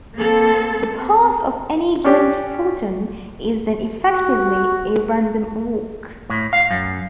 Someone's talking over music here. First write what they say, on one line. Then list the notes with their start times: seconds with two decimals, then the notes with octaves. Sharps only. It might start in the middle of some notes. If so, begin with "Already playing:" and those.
The path of any given photon is then effectively a random walk.
0.17 A#3 C4 A4
0.86 C4
2.04 C#4 D4 G4
4.06 F#4
6.29 A2
6.53 F5
6.70 F#2